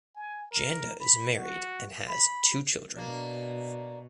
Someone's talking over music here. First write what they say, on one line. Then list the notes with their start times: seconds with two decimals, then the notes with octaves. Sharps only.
Janda is married and has two children.
0.16 G#5
0.51 A#4
1.00 B5
1.38 F#4
2.07 B5
2.97 B2 A#3 D4